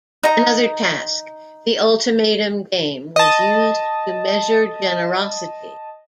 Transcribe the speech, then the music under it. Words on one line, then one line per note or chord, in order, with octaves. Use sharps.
Another task, the Ultimatum Game, was used to measure generosity.
D#4 A#5
D#5 A5